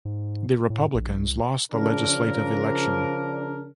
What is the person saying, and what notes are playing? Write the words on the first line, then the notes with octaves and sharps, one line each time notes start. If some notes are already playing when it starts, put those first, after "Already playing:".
The Republicans lost the legislative election.
G#2
A2
A#1
C2
C#3 F3 D4 A#4